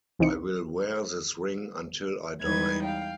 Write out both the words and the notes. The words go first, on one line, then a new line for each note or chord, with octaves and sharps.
I will wear this ring until I die.
C2 E3 C4 D#4 C#7
E2 G3 G#3 D#4 B4 G#6
F5 G5